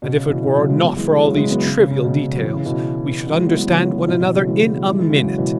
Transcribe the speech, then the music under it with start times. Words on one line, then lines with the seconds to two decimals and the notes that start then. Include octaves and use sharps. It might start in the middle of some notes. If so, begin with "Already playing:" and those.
And if it were not for all these trivial details, we should understand one another in a minute.
0.02 B2
0.15 C#3
0.29 B2 E3
0.43 B2 E3
0.55 C#3 F#3
0.69 E3 G#3
0.83 F#3 B3
0.97 E3 G#3
1.10 E3 G#3
1.24 C#3 F#3
1.37 E3 G#3
1.51 F#3 B3
1.64 C#3
1.77 C#3
1.91 C#3
2.05 B2
2.32 F#3
2.43 E3
2.54 C#3
2.65 B2 E3
3.26 C#3 F#3
3.36 E3 G#3
3.46 F#3 B3
3.57 E3 G#3
3.67 C#3 F#3
3.81 F#3 B3
3.94 E3 G#3
4.08 B2 E3
4.21 B2 E3
4.34 C#3 F#3
4.48 E3 G#3
4.61 E3 G#3
4.75 F#3 B3
4.89 E3 G#3
4.99 E3 G#3
5.09 C#3 F#3
5.19 E3
5.28 F#3
5.38 B2 E3